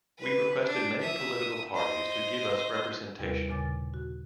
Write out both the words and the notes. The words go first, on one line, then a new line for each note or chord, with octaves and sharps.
We requested many political parties to give us representation.
B4
D4
E5 D#6
C5 D#5
D#2 C3 G3 E4 A#4 B4
D#2 A#2 C#3 G#5 D6 A6
F#4